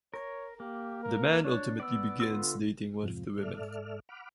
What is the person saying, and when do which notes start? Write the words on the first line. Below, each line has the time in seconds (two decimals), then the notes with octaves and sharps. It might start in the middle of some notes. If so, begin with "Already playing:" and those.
The man ultimately begins dating one of the women.
0.14 A#4 C#5
0.60 A#3 G4
1.03 A#4
1.44 D4 C#5
1.80 B3 D5 E6
2.20 D3 F4 E6
3.03 F2 G#2 C3 F3
3.38 G#2 A4 D5 E5 F6
4.09 F#5 B5 D6 F6